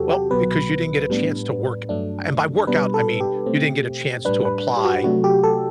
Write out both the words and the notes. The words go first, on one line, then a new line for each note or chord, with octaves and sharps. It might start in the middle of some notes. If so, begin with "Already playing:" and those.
well, because you didn't get a chance to work and by workout, I mean, you didn't get a chance to apply
Already playing: E2 C3 F#3 C4 F#4 G4 A4
G4
C2 B2 F#3 B3 B4
A2 G3 B3 D4
G2 F#3 A3 D4
B2 G3 B3 D4 B4
A4
G4
B2 A3 C4
A2 G3 D4 B4
B4
G4
F#4
C3 F#3 A3 D4 F#4
G4
A4